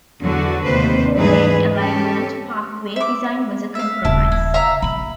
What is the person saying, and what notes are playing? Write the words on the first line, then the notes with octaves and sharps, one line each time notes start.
The four-lane alignment, "parkway" design was a compromise.
E2 D3 F#3 F#4
D#2 C3 B4 C5
D2 G#2 E3 G3 G#4 B4
C#4 G4 A4
E5 D6
E5 F5
D#1 C#3 E4 A5
E4
E5 F5 A#5
A#1 B5